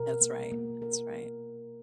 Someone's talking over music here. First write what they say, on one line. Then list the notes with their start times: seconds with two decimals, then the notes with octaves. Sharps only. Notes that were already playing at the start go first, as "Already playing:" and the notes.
That's right, that's right.
Already playing: B2 A#4
0.21 A#3
0.52 A#3
0.82 A#4